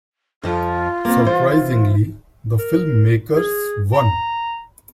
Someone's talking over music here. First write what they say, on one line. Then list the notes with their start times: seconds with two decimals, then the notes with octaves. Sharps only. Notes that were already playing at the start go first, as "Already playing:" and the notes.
Surprisingly, the filmmakers won.
0.43 F2 F3 F4
1.05 A#3 C4
1.25 E3 C5
2.59 A#4
3.37 G#4
3.94 A#5